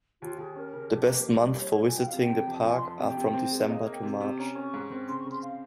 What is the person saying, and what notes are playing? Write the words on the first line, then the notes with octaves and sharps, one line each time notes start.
The best months for visiting the park are from December to March.
D#2 F4
D#2 G#4
C#4 A#4
C#3 A#4
F2 G4
A#3
G3
G2
D#4 C#5
C#5
G#2
G#5
F3 G5
F5
C3
G5
C3
F2
F3 G#5
C6
F2
C3 G5
C3
C4
G#3
D#4 F5
C#5
A#3
G5
C3
C3
C#4 A#5
C#4
C#6
G#2
C4
C#3 C6
C#6
C#3
C6
F5